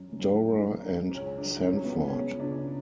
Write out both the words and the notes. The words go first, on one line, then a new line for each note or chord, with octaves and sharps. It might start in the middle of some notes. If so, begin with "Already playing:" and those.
Dora and Sanford.
Already playing: F#2
F#2
F#2
D3
C#2 C#4
D4
F#3
C#4
F#3
B3
B3
C#2 C#4
C#3 D4